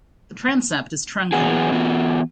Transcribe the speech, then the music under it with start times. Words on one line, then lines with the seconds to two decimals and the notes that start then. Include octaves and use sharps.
The transept is truncated.
1.32 E3 F#3 B3 F#4 G#4
1.72 E3 B3 F4 F#4